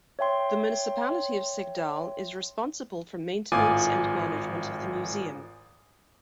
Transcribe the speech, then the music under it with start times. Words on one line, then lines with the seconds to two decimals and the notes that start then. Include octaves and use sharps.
The municipality of Sigdal is responsible for maintenance and management of the museum.
0.19 C#5 E5 G5 C6
3.52 G#1 A2 F4 G#5 D6 D#6